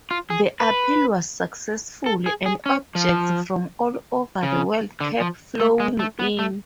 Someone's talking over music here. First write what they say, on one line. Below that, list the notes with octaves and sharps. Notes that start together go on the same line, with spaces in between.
The appeal was successful and objects from all over the world kept flowing in.
F4
G#4
B4
A4
G#4
G#4
C#4
F3
C#3
D3
F3
A3
G#3
A3
B3
A3